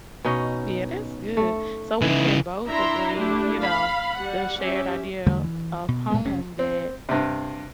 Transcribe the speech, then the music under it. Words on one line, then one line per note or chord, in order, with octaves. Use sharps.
Yeah, that's good. So we can both agree, you know, the shared idea of of home that,
B2 C#4 D#4
A3
C#3 E3 D#4
D4 E4 E5 A#5 C6
A3 D4 E4 G4
F5 B5
G3 F#5
C#4 G4 E5
E2 D3 G3 A3
E3
B2
A#2 G#3 B3
F1 C3 C#4
C4
G2 C3